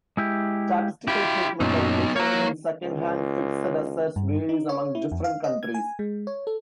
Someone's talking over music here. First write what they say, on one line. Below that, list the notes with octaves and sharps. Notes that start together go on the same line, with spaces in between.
Statistical treatment of the trade in second-hand fixed assets varies among different countries.
G#3 E4 G4
E4 G4 F5
F#2 A#2 F#3 B3 D#4
A#3 C#5 A#5
C#2
G2
D#4
C#5
E4
F2
F5
D#5
G#6
G#5
G#3
C#5
A4